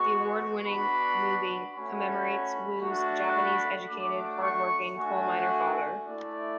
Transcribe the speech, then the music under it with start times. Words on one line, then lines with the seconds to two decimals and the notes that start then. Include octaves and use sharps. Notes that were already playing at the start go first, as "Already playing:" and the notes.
The award-winning movie commemorates Wu's Japanese-educated, hard-working coal-miner father.
Already playing: G#3 B3 F#4 C#6
0.66 B3 D4 F#4 B5
1.73 A3 C#4 F#4 B5
2.81 A3 D4 F#4
3.35 B5
3.88 A3 D4 F#4 D6
4.42 C#6
4.96 A3 D4 F#4 G#5
6.04 A3 E4 D5